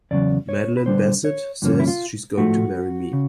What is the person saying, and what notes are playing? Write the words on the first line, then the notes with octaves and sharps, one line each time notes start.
Madeline Bassett says she's going to marry me!
E2 C#3 F#3 D5
C#5
B4
D3 G3 B3 D4 C5
C#5
G2 D3 F3 A#3 C#4
E4
F4
A2 F3 A3 F#4
C#3